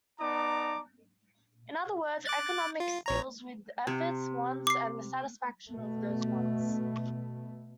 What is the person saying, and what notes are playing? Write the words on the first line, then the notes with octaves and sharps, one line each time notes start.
In other words, economics deals with effort, wants, and the satisfaction of those wants.
B3 D#4 D5 A5 A#5 D6
D6 F#6 A6
F4
A#1 C#5 A#5
C3
D6 C7
B2 A3